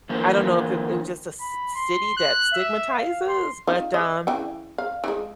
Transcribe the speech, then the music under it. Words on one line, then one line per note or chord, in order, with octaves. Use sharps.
I don't know if it it was just a c city that stigmatizes, but, um
D3 E3 A#3 F4 A#4 C5
B5
C6
F#6
E5
F5
C6
D#4 F4
D#5
C#3 E3 G5
F5
E3 F3 G#3